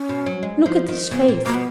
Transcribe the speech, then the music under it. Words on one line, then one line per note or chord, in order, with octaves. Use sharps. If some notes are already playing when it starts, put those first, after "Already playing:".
Look at his face.
Already playing: C#4
B2
F#3
G#3
F3
D#3
C#3 B3
A#2
B2 A#3
B3